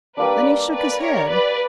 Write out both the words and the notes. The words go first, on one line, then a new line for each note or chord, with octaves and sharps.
Then he shook his head.
G3 A#3 D4 B4 D5
B4 D5
A#4 C#5
B4 D5